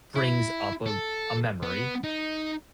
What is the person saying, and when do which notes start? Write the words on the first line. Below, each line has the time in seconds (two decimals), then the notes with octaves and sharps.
brings up a a memory,
0.16 E4
0.86 A4
1.63 B3
2.04 D#4